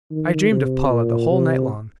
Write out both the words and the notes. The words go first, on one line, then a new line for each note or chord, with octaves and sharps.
I dreamed of Paula the whole night long.
D#3
C3
A#2
C3